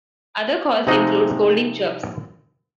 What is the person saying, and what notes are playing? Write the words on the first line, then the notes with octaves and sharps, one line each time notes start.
Other calls include scolding chirps.
C3 F3 G#3 C4 D#4 F#4